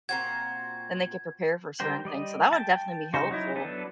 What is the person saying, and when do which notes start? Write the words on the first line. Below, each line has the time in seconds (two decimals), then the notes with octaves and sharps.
then they could prepare for certain things, so that would definitely be helpful.
0.09 A#2 C4 F#4 G#6
1.80 D3 G3 A#4 C5 G5
2.05 G3 D5 D#5
2.53 G5 A5
3.14 C#3 D#4 F#4 C5
3.31 F#3 D#4 E4
3.55 F#3 B3 D4 A4 B4